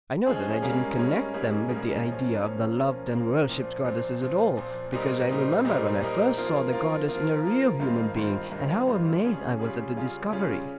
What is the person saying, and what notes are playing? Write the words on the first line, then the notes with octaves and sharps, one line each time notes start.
I know that I didn't connect them with the idea of the loved and worshipped goddesses at all, because I remember when I first saw the goddess in a real human being and how amazed I was at the discovery....
F3 G#3 C#4 G#4
G#2 G3 A#3 C#4 G#4
G#2 G3 A#3 C#4 G#4
G#2 G3 A#3 C#4 G#4
G#2 G3 A#3 C#4 G#4
F3 A#3 C#4
F3 A#3 C#4
F3 A#3 C#4
F3 A#3 C#4
A#2 F3 C4
A#2 F3 C4
A#2 F3 C4
A#2 F3 C4
A#2 G3 C4 D#4 A#4
A#2 G3 C4 D#4 A#4
A#2 G3 C4 D#4 A#4
A#2 G3 C4 D#4 A#4
F3 A#3 F4 A#4
F3 A#3 F4 A#4
F3 A#3 F4 A#4
F3 A#3 F4 A#4
G2 D#3 A#3 F4 C5
G2 D#3 A#3 F4 C5
G2 D#3 A#3 F4 C5
G2 D#3 A#3 F4 C5
C#3 G3 C#4 F4 G#4
C#3 G3 C#4 F4 G#4
C#3 G3 C#4 F4 G#4
C#3 G3 C#4 F4 G#4